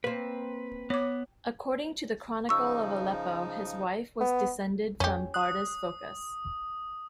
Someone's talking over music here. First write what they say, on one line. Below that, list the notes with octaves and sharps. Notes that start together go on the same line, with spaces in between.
According to the Chronicle of Aleppo, his wife was descended from Bardas Phokas.
A#3 C4 B4
B3 C#5 D6
C#3 F3 D#4 C#6 E6
B3
F2 C#4 G4
D#6 F#6